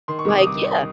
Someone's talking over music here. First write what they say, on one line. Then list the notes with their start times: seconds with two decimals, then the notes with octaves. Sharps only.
like yeah.
0.08 D#3 C6
0.19 C#6
0.25 C2 D6
0.38 D#3 D#6
0.47 D6
0.55 D#3